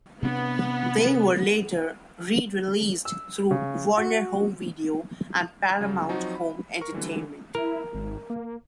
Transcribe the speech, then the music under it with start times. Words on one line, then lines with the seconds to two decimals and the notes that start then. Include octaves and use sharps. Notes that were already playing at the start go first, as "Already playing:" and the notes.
They were later re-released through Warner Home Video and Paramount Home Entertainment.
0.22 C3 B3 D4
3.05 E6
3.51 C#3
3.98 F#4
5.81 C#3 F#3
6.09 F3 F#3 C4 D#4 F#4
6.35 B5
6.81 A#4 C#6
6.92 D3 E3 G3
7.55 E4 A#4
7.94 G#1
8.30 A#3